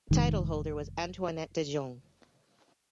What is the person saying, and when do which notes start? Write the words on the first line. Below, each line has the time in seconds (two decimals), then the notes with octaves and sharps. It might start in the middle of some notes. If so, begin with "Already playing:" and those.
Title holder was Antoinette de Jong.
0.11 F1 D#3 G#3